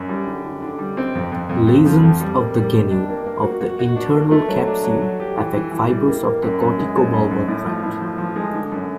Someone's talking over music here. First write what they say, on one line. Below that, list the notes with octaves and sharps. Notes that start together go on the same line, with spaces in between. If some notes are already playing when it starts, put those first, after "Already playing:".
Lesions of the genu of the internal capsule affect fibers of the corticobulbar tract.
Already playing: F#2
G3
D3
D3
D3
G3
C4
F2
F2
F2
F2
F3
F2
G3
A#3
G3
G3
D4
A#3
A#3
F#4
F#4
F#4
D4
A#3
A3
F#3
D4
F#3
F#3
G4
E3
E3
E3
G3
A#3
A#3
F#2
F#2
G#3
F#2
F#2
F#2
A2
F3
A2
F3
F3
G#3
D3
F#2